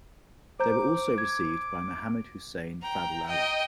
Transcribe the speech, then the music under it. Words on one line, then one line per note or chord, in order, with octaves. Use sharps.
They were also received by Mohammad Hussein Fadlallah.
C5 A#5 D6 G6
G#6
G5 A#5
D#5 G5